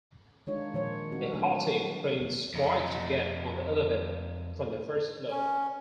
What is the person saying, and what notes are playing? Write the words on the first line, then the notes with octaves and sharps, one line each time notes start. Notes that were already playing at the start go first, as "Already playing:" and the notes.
A haughty prince tries to get on the elevator from the first floor.
D#3 G#3 D4 D#4 F4 C#5
A#2 D#3 F3 C5 C#5
G3 C4 D#4 F#4
D#3 F#3 A3 D4 F#4 G4
F2 D#4
C#4